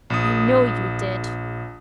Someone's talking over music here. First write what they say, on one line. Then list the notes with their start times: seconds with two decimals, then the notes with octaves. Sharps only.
"I know you did."
0.10 A#1 D#6